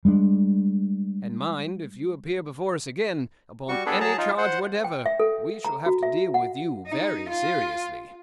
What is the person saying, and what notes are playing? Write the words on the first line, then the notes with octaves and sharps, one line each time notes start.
And mind, if you appear before us again, upon any charge whatever, we shall have to deal with you very seriously!'
G3 G#3 A#3 D4
G3 F#4 C#6
G3 B3 D4 G#4 A4 B4
F#3 G#4 A5 A#5
D#4 F4
C5 F#5
G5
E5
A4
A#5
F#4
E5
F#5
D#4
F4